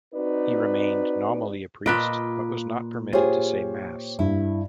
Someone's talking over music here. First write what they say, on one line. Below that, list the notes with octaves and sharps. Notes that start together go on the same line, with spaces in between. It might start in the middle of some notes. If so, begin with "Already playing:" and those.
He remained nominally a priest but was not permitted to say Mass.
C4 D#4 F#4 B4 D5
A#2 F4 B4 D#5 D7
F4 G4 G#4 C5 C#5
G2 E4